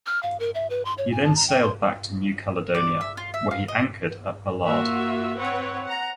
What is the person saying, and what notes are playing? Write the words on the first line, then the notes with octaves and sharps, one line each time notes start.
He then sailed back to New Caledonia, where he anchored at Balade.
F6
F5
A#4
E5
B4
C6
C#5
G#5
A5
A#5
G5
C6
D5
E5
F4
E5
F5
D#5
A#3 F4 F#4 E5
C4 B4 C#5 F#5
F#5 A#5